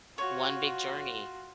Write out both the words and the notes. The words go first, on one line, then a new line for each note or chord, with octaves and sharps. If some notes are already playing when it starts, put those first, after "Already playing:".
one big journey.
F4 F#4 C#5